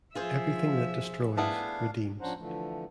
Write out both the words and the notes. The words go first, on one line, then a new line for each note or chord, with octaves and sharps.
Everything that destroys, redeems.
F3 F4 G#4 C5 E5
A3 B3 D4 E4 F5
F3 C#4 D4 C5 F#5 A#5
D3 E3 F3 A3